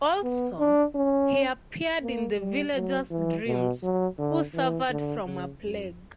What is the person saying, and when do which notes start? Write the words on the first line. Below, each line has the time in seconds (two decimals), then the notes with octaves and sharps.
Also, he appeared in the villagers dreams who suffered from a plague.
0.23 B3
0.59 D4
0.95 C#4
2.02 A#3
2.38 G3
2.74 F#3
3.11 E3
3.46 B2
3.82 F#3
4.18 D3
4.54 E3
4.90 D3
5.26 C#3
5.62 F#2